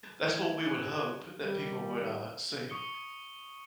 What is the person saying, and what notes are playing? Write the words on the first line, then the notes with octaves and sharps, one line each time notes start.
That's what we would hope that people would, uh, see
E3 G#3 A3 E4 G#6 E7
C#4 D#4 E4 G4 F#6
D#3 G3
C#6 D#6 C#7 G7